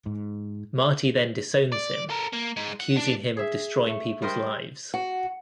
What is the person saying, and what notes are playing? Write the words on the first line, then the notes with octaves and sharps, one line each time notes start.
Marty then disowns him, accusing him of destroying peoples' lives.
G#2
D5
A4 A#4
A#3
G#3 D#4
F#5
D4
G#4 E5
A3
G3 A#4 C5 D#5
F#4